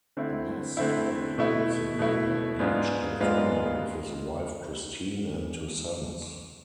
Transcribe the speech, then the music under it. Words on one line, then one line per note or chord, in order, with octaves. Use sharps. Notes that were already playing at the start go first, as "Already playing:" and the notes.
Ness currently lives in Newport Beach, California with his wife Christine and two sons.
D3 A3 C4 E4
D3 A3 C4 E4
B2 A3 E4
B2 A3 E4
G#2 G#3 B3 D4 F4
G#2 G#3 B3 D4 F4